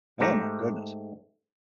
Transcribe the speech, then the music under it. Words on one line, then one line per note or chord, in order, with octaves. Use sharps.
Oh, my goodness.
G#2 A3 G4 A#5